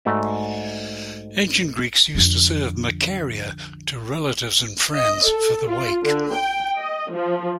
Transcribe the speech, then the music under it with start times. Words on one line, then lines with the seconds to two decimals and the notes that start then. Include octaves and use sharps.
Ancient Greeks used to serve "Makaria" to relatives and friends for the wake.
0.05 G#2 A3 F#4 D5 E5
2.15 F2 D3
4.94 D#5
5.27 A4
5.69 F4
6.03 D3
6.35 G5
6.78 D#5
7.12 F3